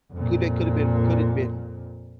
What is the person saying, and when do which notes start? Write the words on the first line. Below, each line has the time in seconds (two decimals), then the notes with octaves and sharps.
could they could have been could it have been,
0.13 F2 A#2